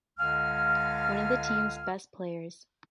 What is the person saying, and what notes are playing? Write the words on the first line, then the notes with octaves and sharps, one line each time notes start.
One of the team’s best players.
C#2 D3 G#3 F5 G#5 F6